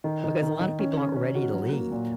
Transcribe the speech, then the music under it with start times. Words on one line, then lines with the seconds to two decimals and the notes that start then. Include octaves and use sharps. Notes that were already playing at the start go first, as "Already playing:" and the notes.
because a lot of people aren't ready to leave,
0.04 D#3
0.24 D#3
0.42 D#3
0.60 D#3
0.79 C#4
0.97 C#4
1.16 C#4
1.35 F#4
1.54 F#3
1.72 A#3
1.92 A#2